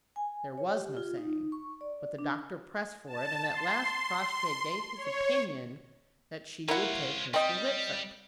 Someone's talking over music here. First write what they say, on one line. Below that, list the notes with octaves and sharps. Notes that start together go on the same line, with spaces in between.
There was no saying; but the doctor pressed for it, and at last Crossjay gave his opinion that she would take Mr. Whitford.
G#5
C#5
G4
F4
D#4
C#6
D5
D4
A5
C6
C#5
A#3 E4 F4 C#5 F#5
G3 C4 D#5